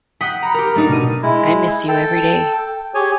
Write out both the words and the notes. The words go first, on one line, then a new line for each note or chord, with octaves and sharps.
I miss you every day.
F#5 G5 D#6 B6
A#5 B5 C#7
G4 A#4
A3 D4 D#4 A#4
B2 D#7
G#3 E4
A4 G5 A5
G4 G#4 C#5 G#5